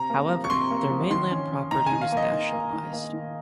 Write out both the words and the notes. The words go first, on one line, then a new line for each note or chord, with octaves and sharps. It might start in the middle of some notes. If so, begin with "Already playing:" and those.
However, their mainland property was nationalized.
Already playing: C3 A#5
A#3
F3
C#6
C3 C6
A#3
F3
D#3 C6
C#4
C#4
D#3 A#5
D#3 G#5
F5
A#3 D#5
D#4
A#3
D#3
A#3
D#3